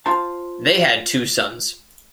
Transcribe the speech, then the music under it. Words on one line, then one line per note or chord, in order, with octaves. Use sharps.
They had two sons.
F4 C5 A5